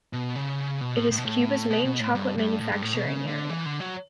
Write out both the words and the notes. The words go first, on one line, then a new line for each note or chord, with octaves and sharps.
It is Cuba's main chocolate manufacturing area.
B2
C#3
B2
A2
A2
B2
A2
B2
B2
A2
G2
G2
A2
G2
A2
B2
C#3
D3
E3
D3
F#3